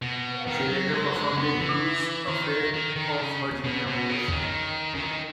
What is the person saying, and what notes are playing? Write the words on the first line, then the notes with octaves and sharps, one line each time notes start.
She later performed in Who's Afraid of Virginia Woolf?
B2
D#3
F#3
G#3
F#3
G#3
B3
E3
D#3
D#3
D#3
C#3
B2
B2
C#3
D#3
C#3
D#3